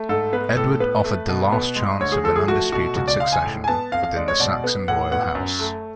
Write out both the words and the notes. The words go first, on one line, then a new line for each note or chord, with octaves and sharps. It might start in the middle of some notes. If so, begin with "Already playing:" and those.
Edward offered the last chance of an undisputed succession within the Saxon royal house.
Already playing: A3
G#2 A4
B3 B4
A2 A4
B3 B4
A3
B2
B3
G#3
D2 C#5
G#4
F3 A4
G#4
A3 F#4
B2 F#4
C#2 F#4
D5
G#3 F5
G#5
A2
G#5
B3 A5
F2 F5
F5
G#3 D5
C#5
B2 D5
B3
A2 F#5
B3 F#5
F#2
A3